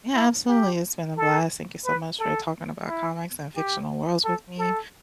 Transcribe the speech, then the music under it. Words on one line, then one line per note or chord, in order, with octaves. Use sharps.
Yeah, absolutely, it's been a blast. Thank you so much for talking about comics and fictional worlds with me.
E4
G4
A4
B4
A4
E4
G4
A4
A4